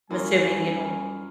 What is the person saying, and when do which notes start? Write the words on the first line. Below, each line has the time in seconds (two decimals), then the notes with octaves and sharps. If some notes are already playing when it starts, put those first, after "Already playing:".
I'm assuming you don't
0.11 F#2 E3 G3 F4 G#5 C#6